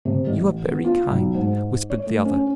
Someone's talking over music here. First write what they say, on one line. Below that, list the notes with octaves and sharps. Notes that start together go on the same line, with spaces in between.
"You are very kind," whispered the other.
C3
A1
B3
F4
B1
G#2
C#5
A3
C#4